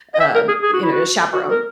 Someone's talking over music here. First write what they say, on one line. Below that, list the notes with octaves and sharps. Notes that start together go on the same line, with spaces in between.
um, you know, a chaperone.
D#5
E5
A#4
G#4
G#4
F#4
E4
F#4
F#4
A#4